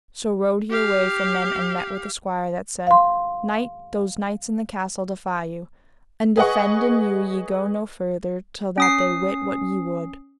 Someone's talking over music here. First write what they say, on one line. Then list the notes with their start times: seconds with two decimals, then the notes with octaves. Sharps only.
So rode he away from them and met with a squire that said: Knight, those knights in the castle defy you, and defenden you ye go no further till that they wit what ye would.
0.69 G4 F5
2.87 F5 C6
6.37 G#4 B4 D#5 F#5 C#6
8.78 C#4 D#6 C7